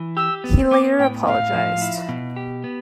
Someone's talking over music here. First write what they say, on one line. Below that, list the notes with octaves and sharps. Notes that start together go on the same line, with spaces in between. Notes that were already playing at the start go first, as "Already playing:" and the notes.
He later apologized.
Already playing: E3
G4 E6
B3
B3 D6
A2 G5
A2 F5
F3
E4
B2
G4
B3